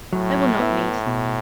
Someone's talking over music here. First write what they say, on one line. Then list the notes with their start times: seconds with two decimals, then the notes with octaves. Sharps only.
They will not meet!
0.13 A2 F#3
0.59 B3 E4
1.06 B2